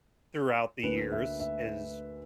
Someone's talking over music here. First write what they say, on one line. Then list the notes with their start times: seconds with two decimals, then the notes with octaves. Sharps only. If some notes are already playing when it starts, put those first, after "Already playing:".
throughout the years is
0.83 D2 D3 A#3 B4
1.12 E5
1.40 E5